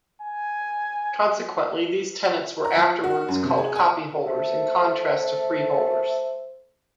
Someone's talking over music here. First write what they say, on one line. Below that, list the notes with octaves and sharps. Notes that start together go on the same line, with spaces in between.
Consequently, these tenants were afterwards called copyholders, in contrast to freeholders.
G#5
A#5
F3
F#4
F#2
C3
G#4
G#5
A3 C5